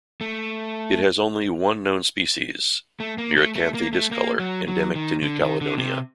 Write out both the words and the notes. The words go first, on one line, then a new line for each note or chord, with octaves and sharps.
It has only one known species, "Myricanthe discolor", endemic to New Caledonia.
A3
A3
A#3
A3
A3
A#3
A3
A#3
F#3
F#3
D#3
D3
D#3
D3
C3